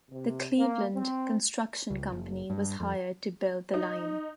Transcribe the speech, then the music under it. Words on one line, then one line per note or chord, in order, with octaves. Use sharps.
The Cleveland Construction Company was hired to build the line.
C3
A#3
C4
C#2
F#1
G2
F2
D#4